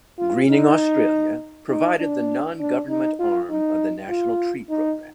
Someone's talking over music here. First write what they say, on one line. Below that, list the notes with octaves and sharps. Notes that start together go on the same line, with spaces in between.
Greening Australia provided the non-government arm of the National Tree Program.
F4
D#4
D#4
D4
D4
D#4
F4
D#4
F4
D#4